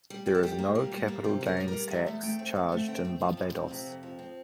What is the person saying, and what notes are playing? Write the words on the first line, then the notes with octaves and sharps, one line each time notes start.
There is no capital gains tax charged in Barbados.
G3
G3 G4
A4
G3 G4
A#3
G3
G3
A#3
C3 G4
G3 A#4
G3
A#4
G3
E2 E5
A3
A3 G5
C4
D3 F5
A3
C4 G5
C4
F3 F5
F2
C4
C3
F2
F3
C4